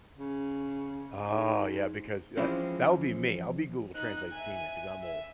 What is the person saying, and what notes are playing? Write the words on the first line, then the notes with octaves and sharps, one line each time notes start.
Oh, yeah, because that that would be me, I'll be Google Translate senior, 'cause I'm old,
C#3
G#2
E3 F3 G#3 C4 C#4
D#4 F#6
E5 G#5
E5